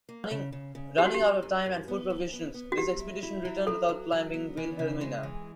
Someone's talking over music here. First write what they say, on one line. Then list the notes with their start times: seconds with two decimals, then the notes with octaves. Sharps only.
Running out of time and food provisions, this expedition returned without climbing Wilhelmina.
0.09 A#3
0.31 C#3
0.52 C#3
0.75 C#3
0.98 B3 G4
1.06 F#4
1.15 G4
1.20 F#3
1.43 F#2
1.66 F#2
1.88 B3
2.10 F#2
2.33 B3
2.54 B3
2.72 F#4
2.78 F#3 G4
2.99 E4
3.23 E4
3.45 F#3
3.67 F#3 A4
3.89 F#3
4.12 F#3
4.34 B3
4.57 E3
4.79 C#3
5.01 G#3
5.23 E3